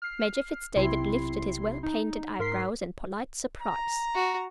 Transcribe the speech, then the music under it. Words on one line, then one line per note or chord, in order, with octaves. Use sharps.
Major Fitz-David lifted his well-painted eyebrows in polite surprise.
F6 C7
B1 C3 C4 E4 C6 C7
D#4
G#2 A#4 C6 B6 C7
A#5
F#4